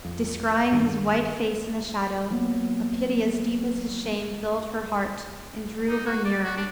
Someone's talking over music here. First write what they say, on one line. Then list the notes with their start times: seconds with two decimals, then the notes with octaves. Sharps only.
Descrying his white face in the shadow, a pity as deep as his shame filled her heart and drew her nearer.
0.05 F2
0.72 G2 D#3
2.31 F#3 A#3 B3
5.87 D#4
6.06 F#4
6.25 D5
6.44 F#4
6.57 D4